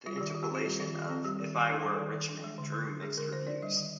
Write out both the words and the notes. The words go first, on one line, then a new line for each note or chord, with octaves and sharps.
The interpolation of "If I Were a Rich Man" drew mixed reviews.
G3 F4
D#3 G4
D#3 F4
G4
C4 F4
G3 G4
D#3 F4
D#3
C4
G3 G4
D#3
D#3
D4
G3
D#3
D#3
D4
G#3
D3
D3
D4
G#3 G#4
D3 A#4
D3 C5
D4 D5
G3 D#5
D#3